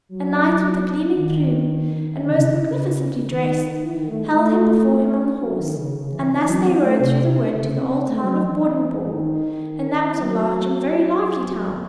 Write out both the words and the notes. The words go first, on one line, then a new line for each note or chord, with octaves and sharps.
A knight with a gleaming plume, and most magnificently dressed, held him before him on the horse, and thus they rode through the wood to the old town of Bordingborg, and that was a large and very lively town.
F#3
D#3
D#3
C#3
C3
C#3
D#3
E3
D#3
A3
G#3
A3
F#3
D#3
C#3
C#3
E3
E3
F#3
C4
A3
C3
C#3
C4
A3
G#3
F#3
E3
E3
D#3
F#3